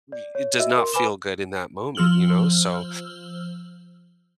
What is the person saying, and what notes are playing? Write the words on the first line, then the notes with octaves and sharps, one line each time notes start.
re it does not feel good in that moment, you know, so,
D5
C#5
F#4 D#5 E5 E6
A#4 C6
B4 G#5 B5 D6 E7 G7
F3 E6 F6 F#7 G7